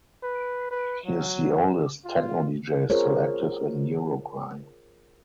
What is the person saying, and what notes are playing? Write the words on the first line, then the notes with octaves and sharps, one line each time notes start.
He is the oldest techno dj still active in Uruguay.
B4
B4
F#3
F4
F4 G#4 A#4 C5 C#5